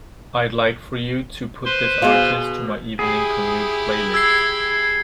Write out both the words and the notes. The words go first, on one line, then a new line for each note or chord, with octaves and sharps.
I'd like for you to put this artist to my Evening Commute playlist.
B4 C5 C6
B2 G#4 F5
E4 G4 G#4
E6 G#6 C7